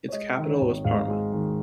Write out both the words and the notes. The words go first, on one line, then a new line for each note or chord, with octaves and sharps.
Its capital was Parma.
C#5
G#3 D#5
D#3
C#5
G#1
G#2 F5
G#3
D#3